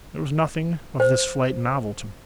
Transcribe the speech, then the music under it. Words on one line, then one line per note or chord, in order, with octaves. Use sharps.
There was nothing of this flight novel to me.
C5